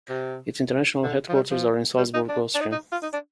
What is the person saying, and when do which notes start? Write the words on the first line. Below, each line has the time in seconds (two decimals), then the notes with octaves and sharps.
Its international headquarters are in Salzburg, Austria.
0.09 C3
1.03 D3
1.29 F3
1.34 G3
1.50 F3
1.98 G3
2.14 D#4
2.29 D4
2.55 D4
2.61 D#4
2.72 D#4
2.92 F4
3.03 D#4
3.13 D4